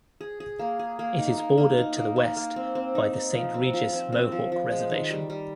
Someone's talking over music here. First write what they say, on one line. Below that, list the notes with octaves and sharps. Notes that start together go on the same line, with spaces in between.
It is bordered to the west by the Saint Regis Mohawk Reservation.
G#4
G#4
A#3
G#4
A#3
D#4
A#3
A#3
D#4
A#3
A#3
A#3
C4
C4
D#4
D#4
F3
C4
F3
C4
C4
F3
F3
G#3
D#3
G3
G3